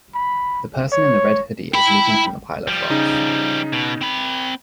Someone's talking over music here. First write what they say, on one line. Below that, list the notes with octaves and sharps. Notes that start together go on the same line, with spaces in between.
The person in the red hoodie is leaping from the pile of rocks.
B5
C#5
E4 G5 B5
F3 G3
C#3 D#4
B2
C4 B5